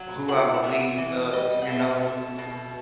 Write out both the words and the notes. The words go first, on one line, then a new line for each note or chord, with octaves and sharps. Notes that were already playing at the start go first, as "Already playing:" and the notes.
who I believe, uh you know, b
Already playing: F#3
A2 F#5
B3 E5
E3
G3 D#5
F#5
B2 E5
A3
B2